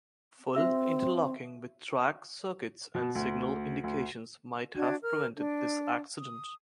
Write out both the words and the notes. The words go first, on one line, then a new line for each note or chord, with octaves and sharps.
Full interlocking with track circuits and signal indications might have prevented this accident.
C4 F#4 E5 E6
B2
D2
D2
D4 F#4 G#6
A#4 F6
D4
D#6